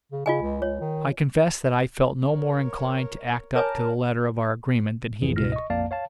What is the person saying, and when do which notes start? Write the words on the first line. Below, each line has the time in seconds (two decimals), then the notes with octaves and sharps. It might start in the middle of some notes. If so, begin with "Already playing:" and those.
I confess that I felt no more inclined to act up to the letter of our agreement than he did.
0.12 C#3
0.26 C#3 F4 D#5 G#5
0.41 C#2
0.62 C#2 C#5
0.81 D#3
2.27 A#4 C#5
3.55 G#4 A#4 C#5 G#5 A5
5.22 G#1 F2 E3 G#4
5.36 C#2 B2 E4 F6 A#6
5.52 D#5 C#6
5.70 A#1 F2 A#3 D5 F5 A5
5.91 C#5 F5 A5